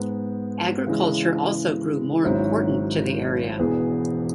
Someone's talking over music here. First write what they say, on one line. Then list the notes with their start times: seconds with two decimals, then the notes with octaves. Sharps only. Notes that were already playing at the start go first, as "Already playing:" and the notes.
Agriculture also grew more important to the area.
Already playing: G#2 G#3 B3
0.86 C#3 E3 G#3 E4
2.23 G#1 G#2 F#3 C#4 E4
3.59 E1 E2 E3 B3 G#4